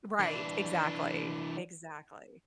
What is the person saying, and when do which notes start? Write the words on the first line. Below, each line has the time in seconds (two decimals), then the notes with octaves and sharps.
Right. Exactly. Exactly.
0.19 E3 D4